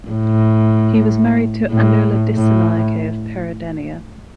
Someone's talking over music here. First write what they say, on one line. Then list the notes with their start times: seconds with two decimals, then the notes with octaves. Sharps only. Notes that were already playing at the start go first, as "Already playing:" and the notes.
He was married to Anula Dissanayake of Peradeniya.
0.10 A2
1.70 A2
2.35 A2